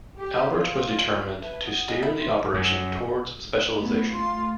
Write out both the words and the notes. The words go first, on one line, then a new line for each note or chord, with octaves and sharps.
Albert was determined to steer the operation towards specialization.
G4
F4
B4 E5 A5
F#5 D#6
G#3
E4
E5 C6
F#2
A3 B3 E4
A3 F4 C6